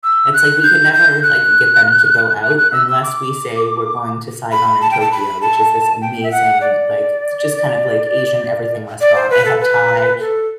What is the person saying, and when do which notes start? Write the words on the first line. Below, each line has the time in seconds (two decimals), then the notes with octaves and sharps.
it's like we can never, like, get them to go out unless we say we're going to Saigon& Tokyo, which is this amazing, like, j just kind of like Asian everything restaurant, they have Thai,
0.04 E6
0.33 F#6
0.63 G6
0.93 G6
1.23 F#6
2.42 F#6
2.58 F#6
2.73 E6
2.88 E6
3.03 D6
4.52 B5
4.82 A5
4.91 G5
5.01 A5
5.12 B5
5.42 A5
6.02 G5
6.23 E5
6.31 F#5
6.61 D5
9.01 D5
9.16 C5
9.30 B4
9.45 A4
9.60 B4
10.20 A4